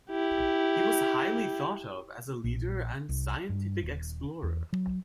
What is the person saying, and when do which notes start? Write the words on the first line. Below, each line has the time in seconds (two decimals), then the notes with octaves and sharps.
He was highly thought of as a leader and scientific explorer.
0.10 E4 G4
2.44 A#1
3.09 C2
3.49 G2
3.82 D#1
4.43 E2
4.73 F#3